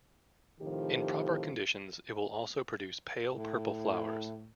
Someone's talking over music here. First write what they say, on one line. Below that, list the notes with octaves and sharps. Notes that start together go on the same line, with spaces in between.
In proper conditions, it will also produce pale purple flowers.
A2 C3 D#3 F3 G4
A2